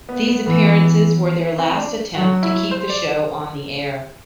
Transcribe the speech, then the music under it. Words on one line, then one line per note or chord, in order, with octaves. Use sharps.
These appearances were their last attempt to keep the show on the air.
B3
B3
E3 B3
C4
D4
F#3 F#4
E4
C5
D5